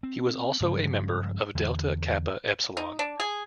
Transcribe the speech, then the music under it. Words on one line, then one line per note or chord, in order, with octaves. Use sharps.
He was also a member of Delta Kappa Epsilon.
C4
G2 C#3 F3 G#3
E2 D3
D#4
D4
G#4